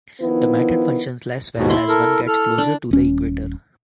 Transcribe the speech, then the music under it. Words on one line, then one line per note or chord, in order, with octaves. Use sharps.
The method functions less well as one gets closer to the equator.
D#3 F3 B3 E4
D#2 G#2 B2
E4 C6
A4 A#4
A4 F6
D4
D#1 C#4